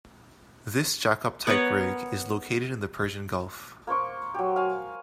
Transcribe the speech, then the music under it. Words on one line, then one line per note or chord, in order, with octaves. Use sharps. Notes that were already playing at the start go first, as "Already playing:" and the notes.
This jackup type rig is located in the Persian Gulf.
B3 A#4 B4 C#5
A#3 C5 C#6 D6
F#3 G4
F5 G#5